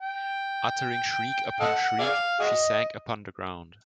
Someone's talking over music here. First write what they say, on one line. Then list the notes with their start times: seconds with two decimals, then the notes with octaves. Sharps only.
Uttering shriek upon shriek, she sank upon the ground.
0.01 G5
1.60 A4 D#5 F#5
1.99 G#4 D5 F5
2.40 F#4 G#4 D#5